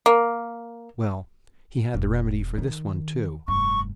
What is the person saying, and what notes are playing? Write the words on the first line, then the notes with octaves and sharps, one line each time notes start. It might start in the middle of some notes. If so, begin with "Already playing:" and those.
Well, he had the remedy for this one, too.
A#3
E1 D4
D#3
F1 G2 C#6